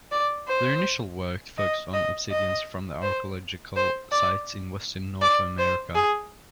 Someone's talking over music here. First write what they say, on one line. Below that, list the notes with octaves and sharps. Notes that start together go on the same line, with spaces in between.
Their initial work focused on obsidians from archaeological sites in western North America.
D5
C5
D#5
D#5
D#5
C5
C5
D5
D5
C5
G#4